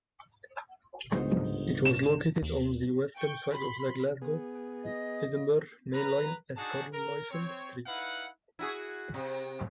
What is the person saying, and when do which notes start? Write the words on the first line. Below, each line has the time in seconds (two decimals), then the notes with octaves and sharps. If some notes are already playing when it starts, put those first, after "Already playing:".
It was located on the western side of the Glasgow-Edinburgh mainline at Carlisle Street.
1.14 G1 C#2 G#2 C#3 B3 D#4 C5
1.85 E7
2.42 D#2
3.15 G5 C#6 G6
3.51 B5 C6
4.22 B3 G#4
4.84 D#5
5.94 B4 A#5
6.57 D4 D#4 F#4 G#4 F#5 A5
6.93 A#4
7.30 C4 C#5
7.87 D#4 E4 B4 F5 F#5
8.59 E4 F#4 G#4
9.14 C3